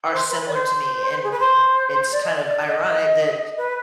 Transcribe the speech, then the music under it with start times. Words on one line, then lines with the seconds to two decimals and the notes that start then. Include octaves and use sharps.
are similar to me, and, uh, it's kind of ironic that
0.12 C5
0.29 B4
0.41 B4
0.48 D5
0.53 C5
1.23 G#4
1.31 B4
1.39 C5
2.12 D5
2.24 D#5
2.35 D5
2.48 D5
2.66 D#5
3.57 B4